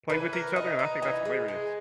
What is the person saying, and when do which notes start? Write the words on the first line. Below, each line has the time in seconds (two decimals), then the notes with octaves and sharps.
play with each other, and I think that's hilarious.
0.10 E3 B4
0.33 A#4
0.56 D#4 D#5
0.79 D#4
1.02 E3 D#5
1.25 G#3
1.48 G#3